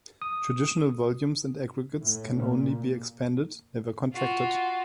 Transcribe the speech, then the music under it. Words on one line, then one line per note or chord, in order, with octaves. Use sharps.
Traditional volumes and aggregates can only be expanded, never contracted.
D#6
A2
A#2
F4 F#4